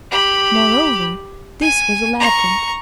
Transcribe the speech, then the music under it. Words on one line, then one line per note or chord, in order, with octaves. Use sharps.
Moreover, this was a labyrinth.
G4 B5
G#5
A#5 C#6